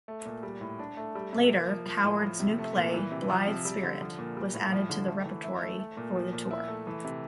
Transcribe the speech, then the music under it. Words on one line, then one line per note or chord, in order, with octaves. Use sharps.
Later Coward's new play "Blithe Spirit" was added to the repertory for the tour.
A3
A#2
G3
A2
D4
A3
G3
C3
A#3
F3
F3
A2
F3
C3
A3
A#2
E3
C3
F3
C3
G3
D3
F3
A#2
G3
A2
F3
D3
A3
E3
E4
A3
A3
A#2
F3
A#2
E4
A3
E3
C3